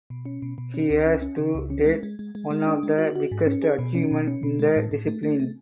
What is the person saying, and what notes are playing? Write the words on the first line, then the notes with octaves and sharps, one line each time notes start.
He has to date one of the biggest achievements in the discipline.
B2
C#4
B2
B2
C#4
C#2
C#4
C#4
C#3
C#2
C#4
G#3
G#3
G#3
G#3
G#3
D4
G#3
F#4
F#4
G#2
C#4
G#4
B2
C#4
B2
C#4
B2
G#3
A2
A2
A3
A3
A3